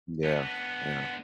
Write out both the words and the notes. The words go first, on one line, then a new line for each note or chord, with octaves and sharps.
Yeah. Yeah.
D3 B3